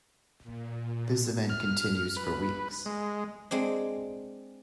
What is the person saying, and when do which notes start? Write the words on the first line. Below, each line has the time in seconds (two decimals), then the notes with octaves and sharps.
This event continues for weeks.
0.44 A#2
1.50 F6
2.17 B4
2.86 G#3
3.51 G#3 C4 D4